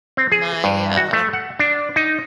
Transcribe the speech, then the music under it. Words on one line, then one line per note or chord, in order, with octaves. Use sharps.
my, uh
C4
G#4
G2
F#4
A3
F#5
D4
D#4